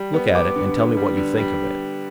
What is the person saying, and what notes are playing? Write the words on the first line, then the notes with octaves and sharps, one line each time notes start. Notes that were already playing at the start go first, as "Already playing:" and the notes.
"Look at it, and tell me what you think of it."
Already playing: G3
B3
B3 D6
D3
D3
G3
D3
G3